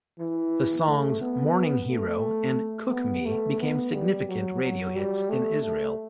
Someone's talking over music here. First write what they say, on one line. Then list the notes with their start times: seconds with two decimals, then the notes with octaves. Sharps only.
The songs "Morning Hero" and "Cook Me" became significant radio hits in Israel.
0.20 E3
0.87 A3
1.22 B3
1.89 A3
2.92 B3
3.26 A3
3.60 B3
3.94 G3
4.28 F#3
4.62 F#3
4.96 G3
5.30 A3
5.63 A3